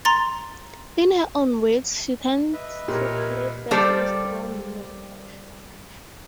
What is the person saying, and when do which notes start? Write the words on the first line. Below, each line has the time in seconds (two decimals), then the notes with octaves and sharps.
In her own words, she tends to play "feisty, strong women".
0.05 A#5 C6 A6
2.53 B4 D#5 E5
2.88 A#2 G4 A#4 C#5
3.71 G3 A#3 G4 A4 C5 D5